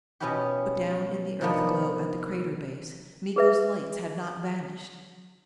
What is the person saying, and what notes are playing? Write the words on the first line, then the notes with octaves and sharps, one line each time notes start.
But down in the Earth glow at the crater base, Miko's lights had not vanished!
B2 B3 C#4 E4 F#4 G4
C3 D#3 F3 A#3 B3 D4
G#4 B4 E5